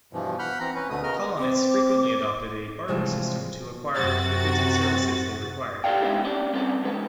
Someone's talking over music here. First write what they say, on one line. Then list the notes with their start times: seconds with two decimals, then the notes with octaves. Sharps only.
Colonists frequently adopted a barter system to acquire the goods and services they required.
0.13 G2 B2 E3 F3
0.39 F#5 B5 F6 G6
0.60 E3 C4 A#5
0.75 C#4 B4
0.90 D2 B2 D3 A3 D#6
1.03 C#3 B3 A#4 D#5 F6
1.38 C4 D6
2.88 A2 C3 E3 F3 G3 G#3
3.94 F#2 C3 F#4 A6
5.84 G4 A4 C#5 D5 F5 G5
6.01 G#2 C#3 B3 D4 E4 G4
6.25 C#4 D4 G4 D5
6.53 G3 C4 C#4 A4 B4 D5
6.83 E2 G#2 C#3 B4